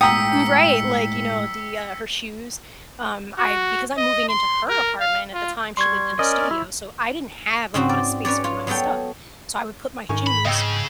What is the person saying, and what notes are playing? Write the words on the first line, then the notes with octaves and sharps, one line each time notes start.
Right, like, you know, the, uh, her shoes, um I because I'm moving into her apartment at the time she lived in a studio. So I didn't have a lot of space for my stuff. So I would put my shoes
A2 G#3 G5 A#5 D#6 E6 B6 C#7
F#4
D#5
C6
A#4
F5
F4
G3 C6 C#6 G#6
C#4 A#4 D5 D#5
E4
G#2 C#3 C4 F#4
D5
C#4 B4 C#5 D5
F4 C#5
F#3 B3 A4 C#5 G5
G#2 D#3 G#5 C#6
B5
C#3 D#5 G5 E6